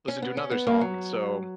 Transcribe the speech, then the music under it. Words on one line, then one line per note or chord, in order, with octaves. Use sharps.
listen to another song," so,
C#4
B3
C#4
B3
A#3
F#3